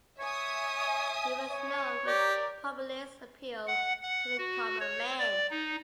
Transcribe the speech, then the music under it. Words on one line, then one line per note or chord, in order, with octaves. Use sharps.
He was known for his populist appeal to the common man.
C#5 E5 G#5 D#6
C#5
G4 A#4 D5
F#5
F#5
F#4
C#5
D5
D#4